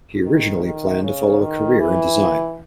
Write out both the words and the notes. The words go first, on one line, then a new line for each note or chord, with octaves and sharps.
He originally planned to follow a career in design.
D#3
D#3
C#3
D#3
E3